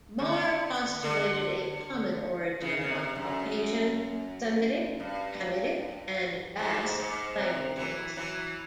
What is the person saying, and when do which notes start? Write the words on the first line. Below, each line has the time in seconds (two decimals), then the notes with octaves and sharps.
Marr postulated a common origin of Caucasian, Semitic-Hamitic, and Basque languages.
0.19 C#3
0.25 D3
1.03 D3
2.61 C#3
2.77 C#3
2.88 C3
3.16 F#2
5.00 G2
6.59 G#2
6.99 G#2
7.38 C3
7.77 E3 F#3
8.16 E3 F#3